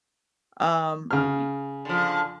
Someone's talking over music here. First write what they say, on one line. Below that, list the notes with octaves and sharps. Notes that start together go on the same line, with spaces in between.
um, eh
C#3 F6
D3 F3